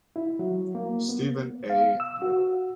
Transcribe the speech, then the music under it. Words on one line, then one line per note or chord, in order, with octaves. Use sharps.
Stephen A. Lytle.
E4
F#3
A#3
B3
F5
E6
F#4